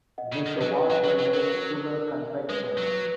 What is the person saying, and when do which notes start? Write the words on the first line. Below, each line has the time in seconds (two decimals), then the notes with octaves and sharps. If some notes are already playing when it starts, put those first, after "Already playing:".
Mr Walther made sugar confections.
0.18 D#5 F#5
0.32 C#3
0.46 D#3
0.56 B4
0.61 F#3
0.76 B4
0.90 F#3
1.04 F#3 B4
1.19 F#3
1.33 F#3 A#4
1.91 A#4
2.49 G#3 B4
2.69 B4
2.78 F#3
2.88 B4